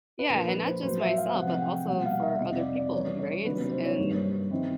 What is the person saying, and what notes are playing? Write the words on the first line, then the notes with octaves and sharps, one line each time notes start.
Yeah, and not just myself, but also for other people, right? S and
B4
A#2 F3 A#3 D4 A#4
B4
C5
A2 F#3 B3 C5
E5
F5
C3 F3 G#3 F#5
G5
B2 G3 A#3 F#5
F5
E5
F2 C3 D#3 D#5
D5
D5
C#3 E3 G3 B3 C#5
C#5
C3 D#3 F#3 A#3 D4 B4
B4
C5
C#5
G2 D#3 G3 A#3 D4
D#3 G3 C4 E4